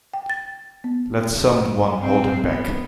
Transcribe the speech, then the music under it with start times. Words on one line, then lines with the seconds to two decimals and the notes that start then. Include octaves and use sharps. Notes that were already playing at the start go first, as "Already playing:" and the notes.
Let some one hold him back.
0.14 G5
0.30 A6
0.84 B3
2.02 C4
2.44 B3